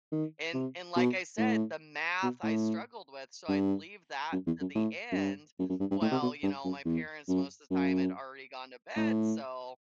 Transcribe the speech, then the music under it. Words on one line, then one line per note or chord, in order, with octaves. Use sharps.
and and, like I said, the math I struggled with, so, I'd leave that to the end. Well, you know, my parents most of the time had already gone to bed, so
D#3
C3
B2
A2
B2
A2
G2
F#2
E2
F#2
A2
F#2
G2
F#2
F#2
G2
G2
A2
C3
B2
G2
F#2
E2
F#2
F#2
A2